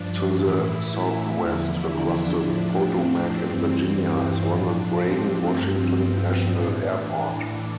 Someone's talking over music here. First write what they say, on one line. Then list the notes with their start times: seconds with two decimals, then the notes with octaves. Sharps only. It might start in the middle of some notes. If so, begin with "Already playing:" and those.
To the southwest, across the Potomac in Virginia, is Ronald Reagan Washington National Airport.
Already playing: G2 F3 D4
0.33 A2 E3 E4
1.36 E2 D3 F3 E4
1.87 D4
2.39 A2 F3
2.90 C4
3.41 G2 E3 C4
4.44 A2 F3 D4
4.94 C4
5.46 G2 F3
5.98 B3
6.49 A2 E3 D4
7.00 D4